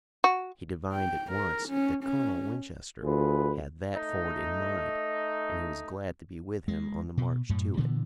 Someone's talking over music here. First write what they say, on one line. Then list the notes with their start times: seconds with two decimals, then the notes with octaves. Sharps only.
He divined at once that Colonel Winchester had that ford in mind, and he was glad to be with him on the march to it.
0.24 F#4
0.93 G5
1.31 A#4
1.69 C#4
2.04 C#4
3.03 D2 F4 G#4 B4
3.94 A3 D#4
6.68 G#3
7.17 B2
7.49 F#2 A2
7.77 A#2 D3 E3 B3